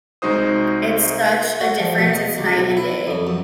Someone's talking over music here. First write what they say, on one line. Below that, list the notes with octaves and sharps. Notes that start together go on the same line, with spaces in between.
it's such a difference, it's night and day.
C2 G#3 D#4 F#4 C5 D#6
F#4
F3
B2
D#5
C#2
B1
E4
F2
F#2